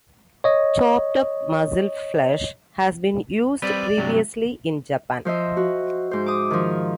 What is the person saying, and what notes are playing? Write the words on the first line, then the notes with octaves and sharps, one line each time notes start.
Chopped up mussel flesh has been used previously in Japan.
C#5 D#5
G3 C4 B4 D5
G2 C3 F#3
F3 C5 D#5 E5
F#4
G#2 C5
D6 D#6
D#3 F3